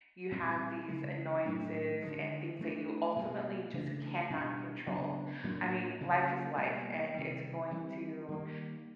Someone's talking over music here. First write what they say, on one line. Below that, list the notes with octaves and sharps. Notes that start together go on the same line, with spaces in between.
you have these annoyances and things that you ultimately just cannot control. I mean, life is life, and it's going to, eh, eh,
A#2 G3 C4
C#3 F3 G#3
A2 F#3 A3 D4
D3 F3 G#3
F3 A3 D4
B2 G3 A#3
C#3 E3 A3 D4
B2 G3 B3 D4
C#3 F#3 B3 D4
A2 F#3 A#3 D4
C#3 F#3 A#3
B2 G3 A#3
C3 D#3 G3
E3 G3 C4
D#3 G3 A#3